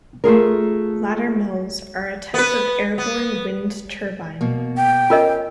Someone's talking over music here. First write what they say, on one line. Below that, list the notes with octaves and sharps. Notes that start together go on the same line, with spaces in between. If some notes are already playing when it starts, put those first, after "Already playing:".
Laddermills are a type of airborne wind turbine.
A3 F4 G#4 A#4
B3 B4
B3
B2 A#3
G5
C#4 F4 A#4 D#5